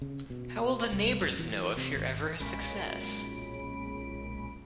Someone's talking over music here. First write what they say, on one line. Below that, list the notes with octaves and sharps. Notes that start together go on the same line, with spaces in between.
How will the neighbors know if you're ever a success?
C#3
B2
C2
F#2
E3
C3
G#1
B1 A#2 G#3 C#4 B5 D7